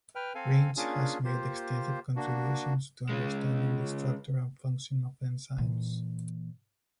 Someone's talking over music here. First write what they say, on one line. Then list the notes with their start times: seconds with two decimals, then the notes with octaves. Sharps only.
Ringe has made extensive contributions to understanding the structure and function of enzymes.
0.15 B4 G5 F6
0.35 C4 A4 F5 G#5
0.77 A#3 C#4 D4 F4 G#4
1.24 A#3 F4 G4 C5
2.16 A#3 D4 F#4
3.09 C#3 G#3
5.58 A#2 E3